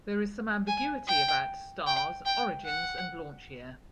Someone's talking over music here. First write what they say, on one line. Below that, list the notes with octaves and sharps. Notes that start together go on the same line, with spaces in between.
There is some ambiguity about "Star"s origins and launch year.
G#5
G5
G5
G5
F#5